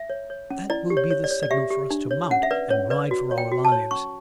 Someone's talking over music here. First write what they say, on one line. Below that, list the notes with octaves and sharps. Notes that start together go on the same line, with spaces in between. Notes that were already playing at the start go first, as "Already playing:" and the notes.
That will be the signal for us to mount and ride for our lives.
Already playing: E5
C#5
C#5
C#4
E4 D5
G4
C#5
C#5
D5
C#5
D5
G4 E5
G4
D4
C#5
C#4 F#5
E5
B4 D5
C#4 C#5
B4 D5
F#4
C#5
G5
F#4
A5
C#5
C#4 C#6